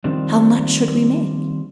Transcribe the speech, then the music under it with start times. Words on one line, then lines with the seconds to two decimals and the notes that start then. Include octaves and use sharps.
"How much should we make?"
0.04 D#3 F3 G3 C4 D4